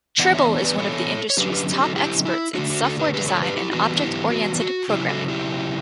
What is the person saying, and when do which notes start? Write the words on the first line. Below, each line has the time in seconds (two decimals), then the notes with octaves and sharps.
Tribble is one of the industry's top experts in software design and object-oriented programming.
0.19 E3 B3 D4 D5 F#5
0.34 C#5 E5
0.58 C#5
0.64 B4 D5
0.78 A4 C#5
1.30 C#5
1.37 D3 F#3 C#4 G4 B4
1.52 G4 B4
1.73 G4
1.81 F#4 A4
1.96 E4 G4
2.25 E4
2.54 D3 A3 D4 F#4
2.70 F#4
2.84 F#4 A4
2.99 G4 B4
3.14 G4 B4
3.28 A4 C#5
3.42 G4 B4
3.57 E4 G4
3.72 E3 G3 B3 D4 F#4
4.01 E4 G4
4.30 F#4
4.61 F#4
4.89 C#3 F#3 C#4 E4 G4
5.09 F#4 A4
5.28 E4 G4